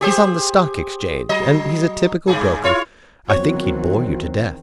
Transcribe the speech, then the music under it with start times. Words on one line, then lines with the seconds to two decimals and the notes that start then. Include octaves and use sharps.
"He's on the Stock Exchange, and he's a typical broker. I think he'd bore you to death."
0.01 G4 G#4 C5
1.29 F#3 D#5
2.27 G2 G#4
2.64 E4 F4 C#5
3.30 E2 D#3 F#3 C4 F#4 C#5